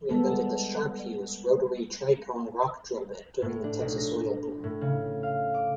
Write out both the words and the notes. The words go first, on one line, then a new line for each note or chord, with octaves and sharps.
He invented the "Sharp-Hughes" rotary tri-cone rock drill bit during the Texas Oil Boom.
G3 G#3 B3 A4
A2
D4
B1
A#6
A2
C#3
F5
D6